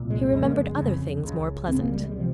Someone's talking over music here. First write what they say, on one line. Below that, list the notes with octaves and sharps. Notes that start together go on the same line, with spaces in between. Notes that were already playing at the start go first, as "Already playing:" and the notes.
He remembered other things more pleasant.
Already playing: C2 A#2
G#3
F2 C#3 G#3
A#3
G#3
F2 C#3
C#2 C#3
C#2 C#3 C4
A#3
G3
G#3
G3
C3 F3